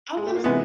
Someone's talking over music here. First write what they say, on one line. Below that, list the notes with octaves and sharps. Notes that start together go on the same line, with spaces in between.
I wanna
G#3
A3
A#3
C3 E3 G#3 B3